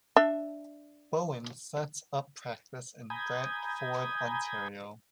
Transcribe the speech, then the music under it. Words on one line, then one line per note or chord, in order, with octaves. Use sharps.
Bown set up practice in Brantford, Ontario.
D4 E5
G#5 A#5 B5 D#6 G6 G#6